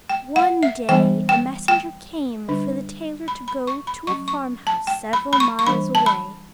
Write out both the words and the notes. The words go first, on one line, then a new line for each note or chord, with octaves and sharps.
One day a message came for the tailor to go to a farmhouse several miles away.
G5
F#5
E5
E3 G3 B3 D4 G5
G5
G5
D3 G3 D4
B5
B5
C#6
B5
F#3 C#4 C#6
C#6
A5
G5
B5
B5
C#6
C#6
E3 G3 D4 B5
A5
B5